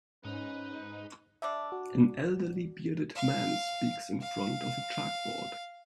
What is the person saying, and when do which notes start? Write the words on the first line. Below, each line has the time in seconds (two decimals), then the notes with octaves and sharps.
An elderly bearded man speaks in front of a chalkboard.
0.25 G#2 C#4 D#4 B4
1.42 D3 G3 D4 E5
1.72 F#4
3.15 F5
4.21 F5